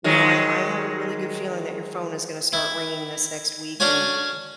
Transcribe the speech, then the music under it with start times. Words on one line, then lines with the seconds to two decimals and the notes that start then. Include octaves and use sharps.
you know, I I have a really good feeling that your phone is gonna start ringing this next week, and
0.04 D#3 F#3 G#3
2.53 E4
3.80 C#4 D4 F#4 C#5 G#5